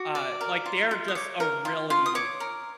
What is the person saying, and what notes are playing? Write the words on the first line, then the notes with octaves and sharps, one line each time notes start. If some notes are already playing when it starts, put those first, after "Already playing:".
uh, like, they're just a really
Already playing: F#4 D6
D5
A#4
F4
F4
D#6
C#5 D6
A#4
F4
F4
D#6
C#5 D6
A#4